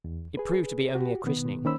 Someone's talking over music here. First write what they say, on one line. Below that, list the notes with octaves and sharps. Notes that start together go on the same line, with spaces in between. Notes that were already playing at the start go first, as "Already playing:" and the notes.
It proved to be only a christening.
E2
G#4 B4
F#4 G4
B2 D#3 B3
D#3 A#3 C#4 C5 B5 E6